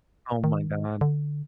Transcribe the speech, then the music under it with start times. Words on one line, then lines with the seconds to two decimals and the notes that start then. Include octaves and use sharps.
Oh my god.
0.44 D#3
1.01 D3